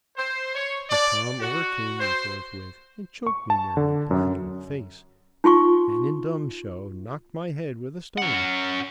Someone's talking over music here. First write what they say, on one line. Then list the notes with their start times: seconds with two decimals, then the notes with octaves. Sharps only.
But Tom overcame me forthwith, choked me nearly black in the face, then, in dumb show, knocked my head with a stone.
0.17 C5
0.55 C#5
0.90 D5
1.40 F#4
2.00 C5
3.27 C#6
3.50 A5
3.77 D3
4.11 F#2
5.44 D#4 F4 C6 C#6
8.18 C#4 F#5